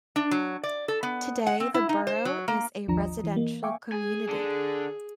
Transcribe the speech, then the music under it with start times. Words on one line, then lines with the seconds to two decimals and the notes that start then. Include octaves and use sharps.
Today the Borough is a residential community.
0.16 D4
0.31 F#3
0.63 D5
0.88 A4
1.03 B3
1.47 F#5
1.60 C4
1.74 E4
1.89 D#4
2.07 C5
2.25 F#3
2.48 A#3
2.87 G#1 D#2 F3 D4 A#5
3.00 D#5
3.24 E3
3.36 A#3
3.63 E5 F5 G5 G#5 C#6 D6
3.92 G#4 G#5
4.29 D3